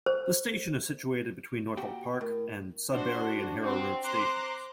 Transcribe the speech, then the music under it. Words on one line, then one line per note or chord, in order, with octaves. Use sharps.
The station is situated between Northolt Park and Sudbury and Harrow Road stations.
C5
A#2 F#4 G4
A2 A#4
D4 F#4 C5
C4
C5 A#5 C6 D6 F#6